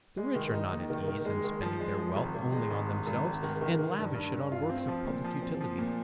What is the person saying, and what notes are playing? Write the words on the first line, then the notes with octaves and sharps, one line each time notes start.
The rich are not at ease in spending their wealth only on themselves, and lavish it on works of public utility.
G#3
D#3
D#4
D#2
D#3
D#3
G#3
D#3
F3
G#3
F3
G#1
G#1
G#3
G#1
G#2
G#1
G#1
D#3
D#3
D#3
G2
G2
G2
F4
C4
F3
A#2
F3
C4
F3
A#2